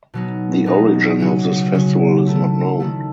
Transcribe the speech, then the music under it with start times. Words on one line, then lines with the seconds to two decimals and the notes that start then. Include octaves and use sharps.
The origin of this festival is not known.
0.14 B2 F#3 B3 D#4
0.66 B2 F#3 B3 D#4
1.20 C#3 F#3 C#4 F#4
1.74 C#3 F#3 C#4 F#4
2.27 D#3 A3 E4
2.80 D#3 A3 E4